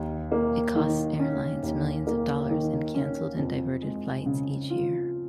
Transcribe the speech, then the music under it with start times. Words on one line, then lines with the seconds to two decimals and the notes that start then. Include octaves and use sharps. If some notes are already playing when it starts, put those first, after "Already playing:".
It costs airlines millions of dollars in cancelled and diverted flights each year.
Already playing: D#2
0.32 A#3
0.75 D#3
1.19 C#4
1.63 D#2
2.07 A#3
2.50 D#3
2.95 C#4
3.38 F2
3.82 G#3
4.26 C#3
4.70 F4